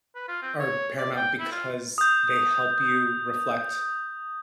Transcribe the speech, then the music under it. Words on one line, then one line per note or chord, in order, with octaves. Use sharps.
are paramount because they help you reflect
B4
F4
C4
C#5
D5
G5
E4
F4
D#6 G6